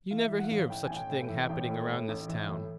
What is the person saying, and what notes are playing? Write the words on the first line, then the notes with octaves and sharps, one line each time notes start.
You never hear of such a thing happening around this town.
E3 F5
E5
E3
F#5
F5
A1
E3 G5
G#5
A1
G5
A2
G5
E3
A1 G5
A2
A2
A1
E3
A2